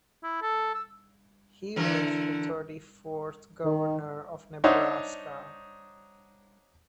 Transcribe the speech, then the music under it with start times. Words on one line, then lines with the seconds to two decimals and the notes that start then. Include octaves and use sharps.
He was the thirty-fourth Governor of Nebraska.
0.24 E4
0.42 A4
0.75 E6
1.76 D3 E3 A#4
3.65 D#3
4.64 D4 D#4 C5 C#5 E5 F#5